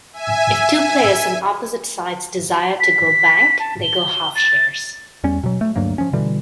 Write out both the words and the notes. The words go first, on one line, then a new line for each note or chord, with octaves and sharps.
If two players on opposite sides desire to "go bank", they go half shares.
E5 G#5
B6
A5
G7
A6
E2 G3 C#4
B2 F#3
A3
D2 G2 F#3 A#3
F3 C#4
B2 D3 E3 G3